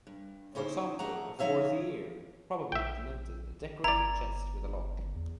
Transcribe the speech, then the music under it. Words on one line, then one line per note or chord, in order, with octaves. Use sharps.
For example, a "forziere" probably denoted a decorated chest with a lock.
G2
C#4 D#4 E4 C5
F3 A3 G#4 F#5 A#5
F3 D#4 C#5 E5 F5
A#1 E5 G5
G1 E4 D5 A#5
E2